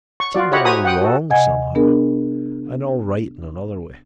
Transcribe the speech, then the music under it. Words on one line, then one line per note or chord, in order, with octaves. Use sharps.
It seemed all wrong, somehow--and all right in another way.
C#6
F4 F#4 D5
G4 C#5 D#5 E5 F#5 B5
F#4 C5 G#5 A#5 B5 D#6
F#5 G5 D#6
F#4 A4
C3 D#5 F#5 G#5 G#6
B3 D4 G#4 A#4